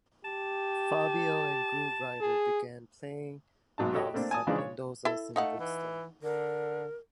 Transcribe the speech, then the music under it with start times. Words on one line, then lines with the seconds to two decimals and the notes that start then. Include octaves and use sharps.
Fabio and Grooverider began playing house at Mendoza's in Brixton.
0.25 G4 A5
2.21 G#4
3.78 B1 G#2 F#3 D#4 A5
3.93 F#4 G4 A4 C#5 D#5
4.14 A3 A#3 C4 D4
4.31 G#5 A5 D#6
4.47 C#3 E3 F3 G#3 D4 D#4
4.58 C#5
5.05 E4 A4
5.36 A3 D#4 F5 F#5
5.60 E3
6.23 D3 A#4